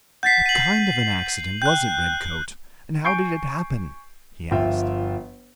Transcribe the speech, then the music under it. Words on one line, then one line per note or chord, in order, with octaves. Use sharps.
"What kind of an accident was it, Redcoat, and how did it happen?" he asked.
F#5 G6 A6 B6 C7
D#7 F#7
G5 F#6 G6
G#5 C#6 G6 C7 D7
G1 F3 F4 E5 G5